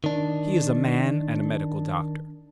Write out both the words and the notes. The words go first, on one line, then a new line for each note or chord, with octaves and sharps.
He is a man and a medical doctor.
D#3 D4